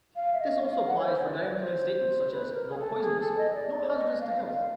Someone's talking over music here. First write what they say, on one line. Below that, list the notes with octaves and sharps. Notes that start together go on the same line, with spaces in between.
This also applies for downplaying statements such as “not poisonous” or “not hazardous to health”.
F5
E5
D#5
F5
F#5
C#5
C5
C#5
D5
C#5
C5
B4
A#4
G#4
A4
G#4
A4
D#5
D5
C#5
D5
D#5
F5
F5